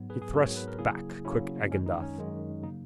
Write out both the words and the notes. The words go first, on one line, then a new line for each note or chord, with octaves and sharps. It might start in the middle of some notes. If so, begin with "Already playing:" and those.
He thrust back quick Agendath.
Already playing: G#2 F#3 B3
G#4 B4
G#4
G#2 F#3 B3 F#4 A#4
C#5
B4
A#4
C#3 F#3 A#3 E4 G#4
C#3 F#3 A#3 C#4 E4
F#2 D#3 G#3 C#4
D#4
C#4
F#2 D#3 G#3
C#3 F#3 A#3 D#4